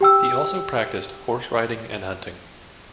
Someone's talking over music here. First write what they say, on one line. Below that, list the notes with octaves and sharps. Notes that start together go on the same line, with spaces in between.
He also practiced horse-riding and hunting.
G4 G5 E6